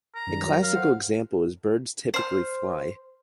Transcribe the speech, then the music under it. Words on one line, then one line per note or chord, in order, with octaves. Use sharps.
A classical example is: "birds typically fly".
A#5
F#2 D#3 G3
F#3 A#4
F5
A4 C5 F#5
C5 F6